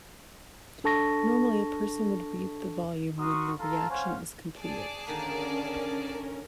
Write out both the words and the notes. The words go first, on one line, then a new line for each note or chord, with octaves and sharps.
Normally a person would read the volume when the reaction is completed.
D4 A4 A5 C#6 A#6
F#4 A#4 C6 C#6 D#6
F4 A4 F5 A5 A#5
C#4 C5 C#5 F5 F#5 G#5
G#4 D5 A5
D3 D#3 A#3 C#4 A#4